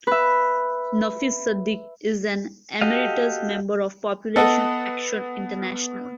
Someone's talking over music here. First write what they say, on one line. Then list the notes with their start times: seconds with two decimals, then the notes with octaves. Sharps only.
Nafis Sadik is an Emeritus Member of Population Action International.
0.07 B4 E5
2.81 F#4 G4 A4 D#5 F5
4.36 B3 A4 D#5 F#5